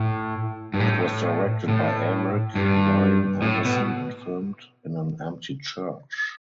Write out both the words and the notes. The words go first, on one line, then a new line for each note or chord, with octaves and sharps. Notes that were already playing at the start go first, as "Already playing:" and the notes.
It was directed by Eric Ryan Anderson and filmed in an empty church.
Already playing: A2
G2
A2
A2
G2
A2
B2